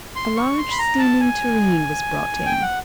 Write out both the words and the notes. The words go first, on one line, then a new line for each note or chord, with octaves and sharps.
A large steaming tureen was brought in.
C6
C#6
C6
B5
A#5
A5
G#5
G5
F#5